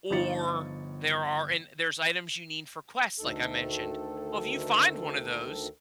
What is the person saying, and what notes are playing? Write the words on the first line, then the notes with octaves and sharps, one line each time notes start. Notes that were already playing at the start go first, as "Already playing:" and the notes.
Or there are and there's items you need for quests, like I mentioned. Well, if you find one of those,
G1 F3 D#4 F4 A6 C#7
D2 D#3 A4